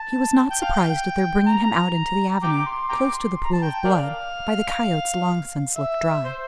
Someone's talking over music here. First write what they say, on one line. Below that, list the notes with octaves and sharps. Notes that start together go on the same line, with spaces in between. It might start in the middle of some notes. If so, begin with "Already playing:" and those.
He was not surprised at their bringing him out into the avenue--close to the pool of blood--by the coyotes long since licked dry.
Already playing: A5
G5
F5
G5
A#5
G5 A#5 D6
C6
G5 A#5 D6
C6
A#5
A5
G5
A#4 D5 F5
E5
C5